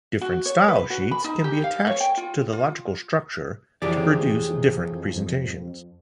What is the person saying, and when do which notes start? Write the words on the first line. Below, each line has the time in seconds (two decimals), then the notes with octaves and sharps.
Different style sheets can be attached to the logical structure to produce different presentations.
0.21 F#4
0.46 C#5
0.68 B4
0.90 F#4
1.11 B5
1.24 D#4
1.44 G4
1.64 F5
1.87 C#5
2.00 G5
2.17 F4
2.53 F4
3.82 F2 A2 C3 E3 G4 G#4 D5